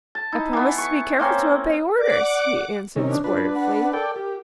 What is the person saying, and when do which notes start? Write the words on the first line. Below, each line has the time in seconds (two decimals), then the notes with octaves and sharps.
"I promise to be careful to obey orders," he answered, sportively.
0.15 A5
0.32 D#4 E4
0.53 E3 B3
0.78 C#6
1.19 A#3 C4 C#4
1.98 D5 F#5 D6
2.96 C3 D#3 C#4 D#4
3.10 D4
3.24 D4 F4 B4
3.54 F#5
3.93 A4 A#4 D5 G5
4.16 G4